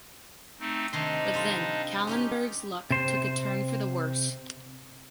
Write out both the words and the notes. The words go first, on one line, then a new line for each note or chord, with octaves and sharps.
But then Callenberg’s luck took a turn for the worse.
A3 C4 D#4
C3 D#3 D4 D#4 D#5 C6
G3 F4 A4
C#4 D#4 G4
C3 C5